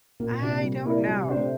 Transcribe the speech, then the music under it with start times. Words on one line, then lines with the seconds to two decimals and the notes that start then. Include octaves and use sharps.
I don't know.
0.20 A#2 A#3
0.32 A#2
0.41 C3 D4 G4
0.53 C3
0.63 G3
0.86 A#3 E4 A#4 D5
1.07 G3
1.22 C3
1.29 D4 G4 C5
1.37 A3